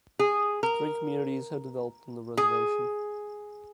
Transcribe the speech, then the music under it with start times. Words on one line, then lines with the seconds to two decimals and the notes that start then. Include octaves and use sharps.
Three communities have developed on the reservation.
0.19 G#4
0.63 A#4
2.37 G#4